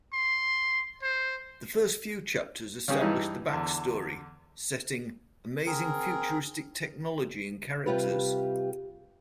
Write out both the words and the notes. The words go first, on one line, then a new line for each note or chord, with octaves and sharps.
The first few chapters establish the backstory, setting, amazing futuristic technology and characters.
C6
C5
C#3 G3 C#4 G#4
G2 E3 D#4
E2 D3
C4 G#4 A#4
C3 D#3 G3 F4 G4 B4